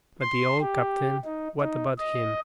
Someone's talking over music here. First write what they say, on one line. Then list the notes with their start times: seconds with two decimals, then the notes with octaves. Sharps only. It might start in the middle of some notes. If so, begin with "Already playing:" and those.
But the old captain, what about him?
0.21 C6
0.60 G4
1.25 D#4
1.61 D#4
1.99 D#5